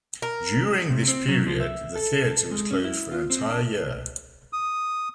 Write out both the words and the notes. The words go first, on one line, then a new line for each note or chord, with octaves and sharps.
During this period, the theatre was closed for an entire year.
A#4
C3
C4
F#3
F3
E5
A4
G#3
C#4
E4
F4
C4
D4
D#6